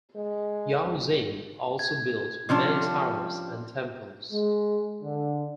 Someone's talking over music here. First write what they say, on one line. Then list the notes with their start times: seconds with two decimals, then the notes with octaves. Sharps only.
Yao Xing also built many towers and temples.
0.16 G#3
1.79 G#6
2.49 C3 F3 C#4 D4
4.32 G#3
5.03 D3